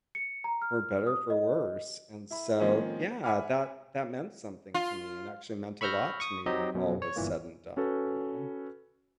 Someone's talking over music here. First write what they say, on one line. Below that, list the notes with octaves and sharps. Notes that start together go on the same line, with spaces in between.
For better or for worse, and so yeah, that that meant something to me, and actually meant a lot to me when all was said and done, you know?
C#7
A#5
F6
D#6
D#5
E4 B5
D#3 F3 G#3 A#3 C4 C#4
E5 F#5 G#5 B5 D6 F6
F4
B5 C#6 E6 F6 G6 A#6
C#6 D#6
F#3 C4 D#4 G4 D#5
F#2 B2
C#5
G1 A#2 E3 A#3
C#4 F#4 A4 B4